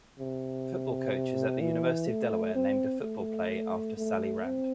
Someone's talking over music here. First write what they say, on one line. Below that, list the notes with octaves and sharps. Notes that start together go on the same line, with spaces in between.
Football coaches at the University of Delaware named a football play after Sally Rand.
C3
E3
A3
C4
A3
A3
C4